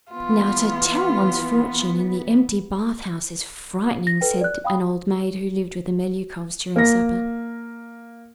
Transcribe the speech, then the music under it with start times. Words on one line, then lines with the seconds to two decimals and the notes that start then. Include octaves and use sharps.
"Now to tell one's fortune in the empty bathhouse is frightening!" said an old maid who lived with the Melyukovs, during supper.
0.12 E3 B3 F4
4.07 A#6
4.21 A4 B4 G5
4.41 D5 F#6
4.64 F5 G5 B5 D#6
6.76 A#3 A#6